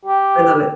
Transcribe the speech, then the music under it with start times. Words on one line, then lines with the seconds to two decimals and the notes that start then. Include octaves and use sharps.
I love it.
0.05 G4